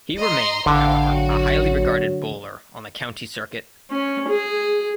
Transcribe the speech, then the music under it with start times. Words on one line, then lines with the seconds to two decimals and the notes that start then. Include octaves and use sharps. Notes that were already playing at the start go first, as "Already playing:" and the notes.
He remained however a highly regarded bowler on the county circuit.
0.18 D#5 A#5 C6
0.66 A1 D3 E4 F5 G5
1.08 F#3 F#4
3.91 C#4
4.29 G#4